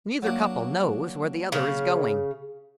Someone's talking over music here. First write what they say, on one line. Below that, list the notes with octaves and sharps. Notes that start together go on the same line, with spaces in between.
Neither couple knows where the other is going.
F#3 A#3 D4
C#3